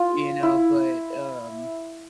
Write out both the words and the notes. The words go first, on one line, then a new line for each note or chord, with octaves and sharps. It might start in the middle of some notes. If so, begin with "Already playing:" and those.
You know, but, um
Already playing: F4
E4